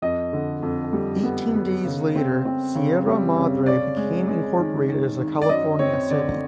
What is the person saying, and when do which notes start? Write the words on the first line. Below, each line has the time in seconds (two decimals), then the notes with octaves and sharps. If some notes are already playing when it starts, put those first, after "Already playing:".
Eighteen days later, Sierra Madre became incorporated as a California city.
0.02 F2 D#5
0.33 D3
0.62 F2
0.93 G3
1.23 B3
1.55 B3
1.84 C#3
2.15 C4
2.45 C4
2.75 C#3
3.07 G3
3.37 C#3
3.66 C#4 D5
3.97 G#3
4.28 G#3
4.58 D#3
4.89 D#3
5.19 D#3
5.42 D5
5.49 F#2 D#5
5.79 C4 C#5
6.10 D3 D5